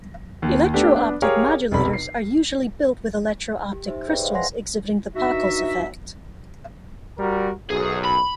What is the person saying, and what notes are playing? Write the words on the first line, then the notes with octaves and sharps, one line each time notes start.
Electro-optic modulators are usually built with electro-optic crystals exhibiting the Pockels effect.
D#2
A3 B3 D4 G4 A4
B3 D4
G4 G#4 A#4 C#5 F5
F1 B1 C3 B5
C7
G4
D#4 G4 C5 E5
G#4 B4 C#5 D5 E5 G5
C5 D#5 F5
F#5 G#5 C6 A#6
G2 D#4 F#4 E5
G3 F#4 A#4
B1 F#2 G#4
B5